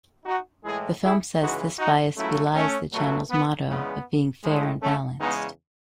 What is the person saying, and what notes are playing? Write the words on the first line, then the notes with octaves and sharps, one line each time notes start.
The film says this bias belies the channel's motto of being "Fair and Balanced".
D#4 F#4
A2 E3 G#3 E4 G#4
E4 G#4
C#2 C#3 E3 G#3 D#4 F#4
D#4 F#4
C#2 C#3 F#3 A3 C#4 E4
A3 C#4
C#2 B2 F#3 A3
B3
E2 C#3 G#3 B3
A2 G#3
A3 C#4
E2 C#3 G#3 B3 D#4